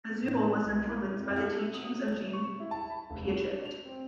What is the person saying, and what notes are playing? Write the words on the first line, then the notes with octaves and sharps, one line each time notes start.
Ausubel was influenced by the teachings of Jean Piaget.
A2
C2
E4
F2
E4 F#4 A4
D#6
C#6
E4
A5
B5
F1
F#4
D4
F7
C4